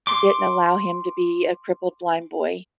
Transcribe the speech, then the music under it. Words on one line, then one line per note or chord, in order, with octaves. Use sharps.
didn't allow him to be a crippled blind boy.
C6 D6